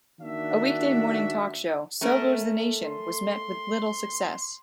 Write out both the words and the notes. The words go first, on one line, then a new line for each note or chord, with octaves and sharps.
A weekday morning talk show, "So Goes The Nation", was met with little success.
D#3 A#3 D4 F#4 E5
A3 C#4 A#4
C6